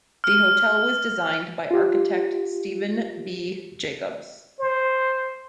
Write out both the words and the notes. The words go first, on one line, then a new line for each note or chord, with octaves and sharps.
The Hotel was designed by architect Stephen B. Jacobs.
F6
F4 G4
C5